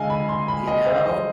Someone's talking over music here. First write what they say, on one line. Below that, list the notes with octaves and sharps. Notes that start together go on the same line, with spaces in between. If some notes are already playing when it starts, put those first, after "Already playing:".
You know?
Already playing: D3 G#3 D#5 F5 G#5
B5
C6
B5
D#5
C5
D#5